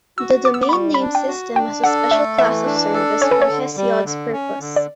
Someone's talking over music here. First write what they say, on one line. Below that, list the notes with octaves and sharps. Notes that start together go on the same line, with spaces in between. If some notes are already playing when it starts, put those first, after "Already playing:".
The Domain Name System has a special class of service for Hesiod's purpose.
F#4 E6
B3 D6
E6
D6
B5
G3 C#6
B5
D4
G5
F#4
D4 G5
A4 F#5
A3 E5
E3 E5
D4
A4
C#4 C#5
B4
C#5
D3
G3
D3
C#4
D3
D5